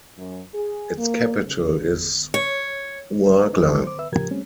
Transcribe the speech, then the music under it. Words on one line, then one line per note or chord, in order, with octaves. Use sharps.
Its capital is Ouargla.
F#2
G#4
A#3
C#3
C#5
D#4 G#4
G#3 D#4 G4 A4
C5 D6
B4 E5 E6
A2 C#3 F3 G4 A#4 G#6
G3 A3 C4 C#4